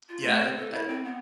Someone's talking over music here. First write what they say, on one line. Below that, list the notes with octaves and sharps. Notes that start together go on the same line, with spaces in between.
Yeah, it I uh,
F4
A3
C4
A4
E4
C4
B3